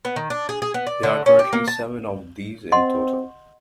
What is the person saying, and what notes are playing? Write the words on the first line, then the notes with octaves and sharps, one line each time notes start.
There are currently seven of these in total.
B3
D#3
D4
G#4
G#4
B3
D5
D3
C#4
G4
A#3
A5
C4 D#5 F#5 C6